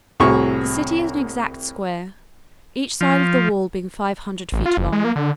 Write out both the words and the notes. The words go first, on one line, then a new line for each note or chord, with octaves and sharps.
The city is an exact square, each side of the wall being five hundred feet long.
C2 A2 F#4 G#4 C#6
F3
A1
F4
F#1
G#3
A#3
D3